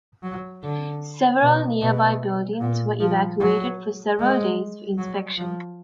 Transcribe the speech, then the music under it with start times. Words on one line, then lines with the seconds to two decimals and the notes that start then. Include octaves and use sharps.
Several nearby buildings were evacuated for several days for inspection.
0.23 F#3
0.63 D3
1.42 B2
1.81 B2
2.60 A#2
3.00 F3
3.40 F#3
4.19 G#3
4.98 F#3
5.38 F3